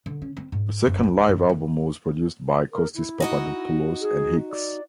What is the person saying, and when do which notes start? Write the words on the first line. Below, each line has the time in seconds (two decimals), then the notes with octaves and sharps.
The second live album was produced by Costis Papadopoulos and Hicks.
0.06 D3
0.22 C#4
0.37 C4
0.52 G#2
0.87 F#1
1.03 C#2
1.28 F#2
1.49 E2
2.72 A#4
2.95 E4
3.20 D#4 F#4 D#5
4.01 G#4
4.50 D5